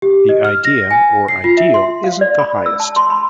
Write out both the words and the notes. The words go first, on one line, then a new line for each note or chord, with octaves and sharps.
The idea, or ideal, isn't the highest.
G4
D#5
F6
A#6
G#5
C7
F4
E5
C6
F5
D5
B5
E6
A5
C6
B5